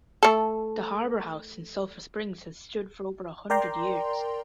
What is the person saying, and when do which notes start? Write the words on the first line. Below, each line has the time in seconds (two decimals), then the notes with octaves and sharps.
The Harbor House in Sulphur Springs has stood for over a hundred years.
0.23 A3 A4
3.50 A#4 D5 G5 A#5 C6